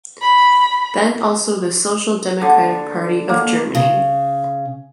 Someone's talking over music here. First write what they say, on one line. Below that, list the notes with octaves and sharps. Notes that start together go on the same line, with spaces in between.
Then also the social democratic party of Germany.
B5
D3
A#3
C#3